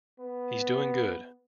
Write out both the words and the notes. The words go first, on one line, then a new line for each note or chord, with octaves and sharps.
He's doing good.
B3